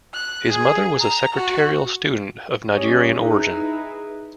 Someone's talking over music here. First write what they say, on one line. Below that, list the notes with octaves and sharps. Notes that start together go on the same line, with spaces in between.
His mother was a secretarial student of Nigerian origin.
F#6
G#4
A#5
F#4
G3 C#4 C#5 D#5
D#4 E4 G#4 B4